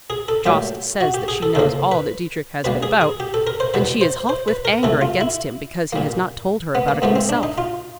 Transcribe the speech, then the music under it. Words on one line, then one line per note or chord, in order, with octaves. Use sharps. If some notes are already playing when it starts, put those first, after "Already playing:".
Jost says that she knows all that Dietrich has been about, and she is hot with anger against him because he has not told her about it himself.
G#4
A4
A#2 F#3 A3 G4
F#4
G4
G#4
A4
E2 C#3 F3 A#3 A4
B4
B2 G3 A#3 B4
G#4
G#4
G4
A4
A#4
C5
E2 B2 G3 B4
C5
C5
B4
A#4
C3 E3 A3 A4
F4
E4
A#2 G3 A#3
B3
A#3
G#2 F3 A3 B3
C4
D4
D#4
F4